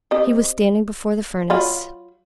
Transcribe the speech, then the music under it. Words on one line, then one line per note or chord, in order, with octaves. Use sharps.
He was standing before the furnace.
C4 G4 D#5
F#3 F4 B5